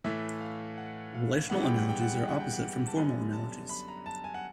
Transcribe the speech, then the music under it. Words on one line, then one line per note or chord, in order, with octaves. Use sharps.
Relational analogies are opposite from formal analogies.
A2 E3 A3 E5
F5
F#5
F5
G2 E3 G#3 B3 F#5
G5
F#5
G5
F#5
G5
F#5
G5
F#5
A5
F#2 D3 G3 B3 G#5
A5
B5
A#5
A5
G#5
F#5